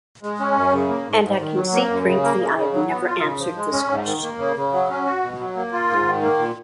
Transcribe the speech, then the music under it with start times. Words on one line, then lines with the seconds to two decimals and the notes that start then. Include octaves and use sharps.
And I can say frankly, I have never answered this question.
0.23 G#3
0.40 C#4
0.57 F#2
0.73 C#3
0.89 A#3
1.07 G#2
1.23 G#2
1.40 D#3
1.56 F#3
1.73 A#3
1.90 F#2
2.07 C#3
2.23 A#3
2.40 C#3
2.56 C#3
2.73 F#3
2.89 B3
3.06 F4
3.22 C#3
3.39 F3
3.57 G#3
3.72 C#4
3.90 G#2
4.06 D#3
4.23 A#3
4.39 C#3
4.56 C#3
4.73 F#3
4.90 C#4
5.06 F#4
5.23 B2
5.39 F#3
5.56 A#3
5.73 F4
5.90 G#2
6.06 D#3
6.22 A#3
6.39 A#2